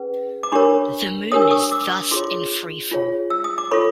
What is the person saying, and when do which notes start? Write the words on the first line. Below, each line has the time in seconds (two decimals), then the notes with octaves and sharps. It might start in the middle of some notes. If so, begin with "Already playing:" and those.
The moon is thus in free fall.
Already playing: C#4 G#4 B4
0.43 D6
0.52 D4 G4 A#4 C#5 B5 C#6
1.32 D4 G4 A#4 C#5 D#6
1.42 E6
1.51 C#6 D#6
1.72 D6 E6
2.11 F4 G#4 C#5 C6 D6
2.91 F4 G#4 C#5
3.30 E6
3.44 D#6
3.58 D6
3.71 F4 A4 C#5 B5 C#6